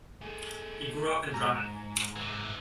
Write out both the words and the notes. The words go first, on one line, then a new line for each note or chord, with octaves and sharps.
He grew up in Drammen.
A3 G#4
G#2 G#5 A#5
C3 E3